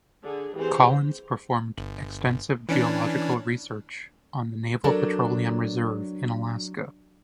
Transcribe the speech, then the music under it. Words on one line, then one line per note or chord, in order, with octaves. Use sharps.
Collins performed extensive geological research on the Naval Petroleum Reserve in Alaska.
D3 G#4
E3 C4 G4 G#4 C5
G1
E3 C#4 D4
F#3 D4 A4 A#4 D5